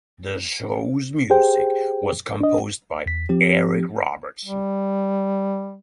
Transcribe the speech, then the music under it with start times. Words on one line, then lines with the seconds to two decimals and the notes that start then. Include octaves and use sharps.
The show's music was composed by Eric Robertson.
1.30 G4 G#4 C5 G5
2.41 D4 D#5
3.06 E2 B6
3.29 F3 C4 G4
4.45 G3